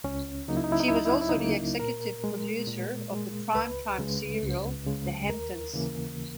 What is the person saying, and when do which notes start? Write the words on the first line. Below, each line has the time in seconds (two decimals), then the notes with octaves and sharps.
She was also the executive producer of the primetime serial "The Hamptons".
0.04 C#2 C#4
0.48 C#3 F#3 A#3 D#4
0.57 E4
0.64 D#4
0.72 E4
0.80 D#4
0.88 E4
0.92 C#2 D#4
1.05 E4
1.13 D#4
1.21 E4
1.29 D#4
1.37 C#3 F#3 A#3
1.79 A#2 A#4
2.24 G#3
2.67 A#2
3.11 G#3
3.55 C#2 B4
3.99 C#3 G#3
4.42 C#2
4.86 C#3 G#3
5.29 D#2 A#4
5.73 C#3 E3 A#3